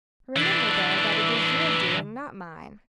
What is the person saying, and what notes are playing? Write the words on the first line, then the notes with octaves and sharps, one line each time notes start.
Remember, though, that it is your doing, not mine.
E3 D4